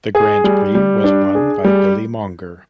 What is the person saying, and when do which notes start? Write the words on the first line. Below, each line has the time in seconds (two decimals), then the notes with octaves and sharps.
The Grand Prix was won by Billy Monger.
0.15 G#4
0.44 G3
0.75 G3
1.04 D4
1.35 G#4
1.65 G3